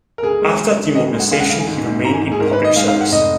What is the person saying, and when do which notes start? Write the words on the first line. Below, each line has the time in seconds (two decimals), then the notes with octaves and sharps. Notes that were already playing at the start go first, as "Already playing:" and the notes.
After demobilization he remained in public service.
0.18 A#4
0.23 D2 G#4
0.42 G#3
0.59 G#3
0.78 D3
0.95 D2 D#5
1.14 G#3
1.20 F#5
1.31 G#3 F5
1.40 F#5
1.49 D2 F5
1.59 G#5
1.67 G#2
1.85 G#2
2.04 G#2 A#5
2.13 G#5
2.22 G#2
2.32 G#4
2.40 G#2 A#4
2.53 B4
2.59 D#3
2.65 D#5
2.76 G#3 F5
2.88 F5
2.94 G#2
3.01 F#5
3.12 F1 D#5